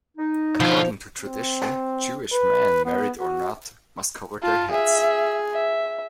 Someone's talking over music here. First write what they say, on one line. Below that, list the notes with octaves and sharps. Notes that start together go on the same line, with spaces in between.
According to tradition, Jewish men, married or not, must cover their heads.
D#4
B2 F3 F4
C4
B4
B3
F#4
F4 A5
G#4 E5
E5